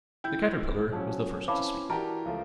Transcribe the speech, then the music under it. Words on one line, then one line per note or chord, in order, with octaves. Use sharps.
The Caterpillar was the first to speak.
E4 G5 G6
F3 F#3 C#4 A5
C4 C#4 E4 B4 F5 A5 B5 D6
E3 F#4 G4 A#4 D5 A5
C#2 F3 A3